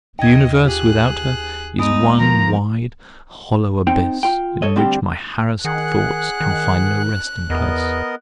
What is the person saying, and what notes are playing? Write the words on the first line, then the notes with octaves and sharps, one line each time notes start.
The universe without her is one wide, hollow abyss, in which my harassed thoughts can find no resting-place.
D#2 D#5 G#6
F4 G4 G#4 F#6
G#3 B3 D#4 D#6
D3 F3 A#4 A#5
C4 D#4 G5
F4 G5
A4 C#5 D#5
D2 G3 C4 D4 G4 G5
D#3 G#4 F#5 F#6
D#3
E2 B3 A#4 D#5